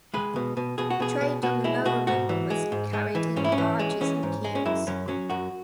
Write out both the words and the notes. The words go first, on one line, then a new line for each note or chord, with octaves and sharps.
Trade on the lower river was carried in barges and keels.
G#3 B4
B2
B2
B2 G#4
F#4
B2 G#4
B2
B2 F#4
G#3 E4
B2 F#4
G#2 F#4
E3
G#3
G#2
G#3
E3
G#2 C#4
E4
C#4
E3
G#3
E3 C#4
G#2
G#3
C#4
F#2 E4
F#2 C#4
F#3 C#4
F#2 F#4